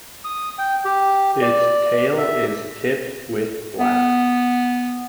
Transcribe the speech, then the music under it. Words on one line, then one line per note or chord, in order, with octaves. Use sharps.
Its tail is tipped with black.
D#6
G5
G4
D5
E5
B3